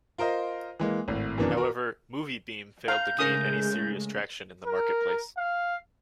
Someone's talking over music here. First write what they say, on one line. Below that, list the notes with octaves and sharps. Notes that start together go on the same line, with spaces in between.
However, MovieBeam failed to gain any serious traction in the marketplace.
F4 A#4 C5 D#5
E3 G#3 A#3
G#1 A2
F#2 B2 D#3 E3 D4
F#4 A#4
F5 A#5 G6
C#3 G#3 A3 C#4 A#4 D#6
A#4
F5